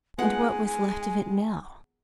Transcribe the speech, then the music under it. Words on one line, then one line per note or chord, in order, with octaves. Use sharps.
And what was left of it now?
G#3 B3 D#4 F4 G#4 F#5 G#5